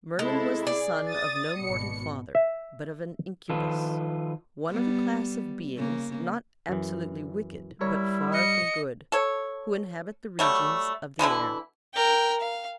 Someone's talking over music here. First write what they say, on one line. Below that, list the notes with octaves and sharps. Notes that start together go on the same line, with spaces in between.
Merlin was the son of no mortal father, but of an Incubus, one of a class of beings not absolutely wicked, but far from good, who inhabit the regions of the air.
C3 G#3 E4 A4
G#4 D5
D#6 A6
G#1 B2 C#7
E5
D#3 F3 F4 A4 B4
G3 B3
C#3 A#3
F#2 E3
G3 E4 A#4 C#5
D#5 C#7
A4 C#5
F#3 G3 A3
B2 D3 E3 E4
A#4 G5
F5